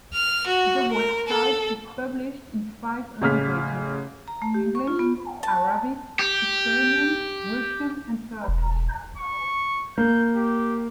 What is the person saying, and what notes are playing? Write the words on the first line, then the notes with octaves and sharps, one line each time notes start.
The website is published in five languages: English, Arabic, Ukrainian, Russian, and Turkish.
F6
F#4
A#4
A4
A1 C#3 F6 B6
A#5
A3
G4
C#6
F4
B3
A5
G4
E1
C#6
A#3 G6
G4